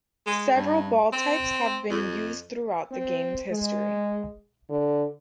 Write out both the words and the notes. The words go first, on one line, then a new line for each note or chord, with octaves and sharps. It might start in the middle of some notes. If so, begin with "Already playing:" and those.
Several ball types have been used throughout the game's history.
G#3
G2
C4
F2
C4
G#3
D3